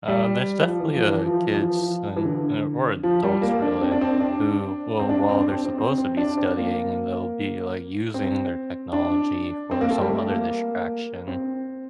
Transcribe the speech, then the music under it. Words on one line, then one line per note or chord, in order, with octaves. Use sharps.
Uh, there's definitely, uh, kids and, uh, or adults, really, who will, while they're supposed to be studying and they'll be, like, using their technology for some other distraction.
G3
F3
E3
F3
E3
F3
F3
E3
F3
E3
D3
F3
G3
A#3
D4
C4
D4
C4
D4
C4
D4
D4
C4
D4
C4
C4
C4
C4
D4
C4
A#3
C4
D4
C4
A#3
A3
G3
A3
A#3
C4